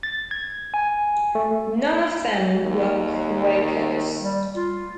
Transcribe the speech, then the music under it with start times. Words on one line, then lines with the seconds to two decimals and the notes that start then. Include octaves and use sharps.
None of them were Quakers.
0.03 A6
0.31 G#6
0.74 G#5
1.35 A3
2.62 D#2
4.19 G3
4.56 F4